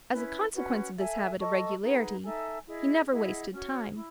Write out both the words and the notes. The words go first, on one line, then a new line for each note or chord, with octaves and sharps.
As a consequence of this habit of regularity, he never wasted time.
C#4 E4 B4
C#4 F#4 B4
A4 E5 G#5
A4 D#5 A5 C#6
D#4 G#4 B4 F#5
D#4 A4 E5 G#5
E4 G#4 D#5
E4 G#4 D#5 F#5
C#4 F#4 C#5
E4